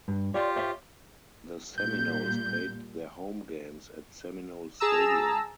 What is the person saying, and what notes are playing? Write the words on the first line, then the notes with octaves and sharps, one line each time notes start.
The Seminoles played their home games at Seminole Stadium.
G2
F4 G4 C#5 D5 C6
C5 C#5 E5
A#2 G3 G6
G#4 A5 A#5 E6